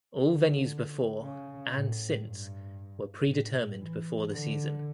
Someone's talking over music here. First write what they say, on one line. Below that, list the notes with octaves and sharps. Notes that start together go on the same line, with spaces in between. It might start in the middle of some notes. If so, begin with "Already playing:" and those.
All venues before, and since, were predetermined before the season.
D3
C#3
A2
G2
A2
E3
D3